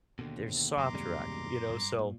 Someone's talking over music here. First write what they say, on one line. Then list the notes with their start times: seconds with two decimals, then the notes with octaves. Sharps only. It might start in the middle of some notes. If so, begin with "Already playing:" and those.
there's soft rock, you know? So,
0.19 D#2 B2 D3
0.77 F#2 B2 A#5 C6 D6
0.95 C3 G3 G#3
1.70 D2 G2
1.99 A#2